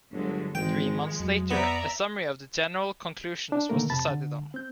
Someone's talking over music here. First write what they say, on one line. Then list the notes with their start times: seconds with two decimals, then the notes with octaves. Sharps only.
Three months later, a summary of the general conclusions was decided on.
0.13 G1 D3 F#3 G#3
0.55 G#1 E3 F3 G#3 G5
0.86 D#3
1.20 F2 F#3
1.50 B3 D5 E5 A#5
3.52 D4
3.69 B2 D3 D#3 A3 A#3 A#4
3.90 F2 C3 A5 B5 A6
4.08 D3
4.54 C4 G6